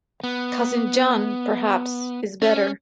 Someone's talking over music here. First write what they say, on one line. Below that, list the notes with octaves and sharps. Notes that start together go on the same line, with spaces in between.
Cousin John, perhaps, is better.
B3
C#4